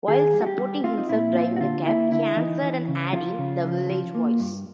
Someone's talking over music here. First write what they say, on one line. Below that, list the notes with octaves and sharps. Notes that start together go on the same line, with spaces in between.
While supporting himself driving a cab, he answered an ad in "The Village Voice".
D#3 G#4
G3
F#4
G4
G3
C4 F4
D#4
A#2 E4
C4 F4
F#4
D3 F4
A#3 E4
D3 E4
E3 D#4
E3
C#3
F3 F4
C#3
F3
F3
A#3
G2